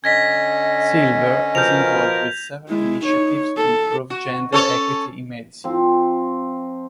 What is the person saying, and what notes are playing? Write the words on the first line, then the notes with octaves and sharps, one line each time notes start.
Silver is involved with several initiatives to improve gender equity in medicine.
D3 C#4 D#5 G#6 A#6 B6
B2 F3 A#4 G6 F7
G#3 E4
D#4 C#5
A4
F#4
C#4 A4 C#5
F3 C4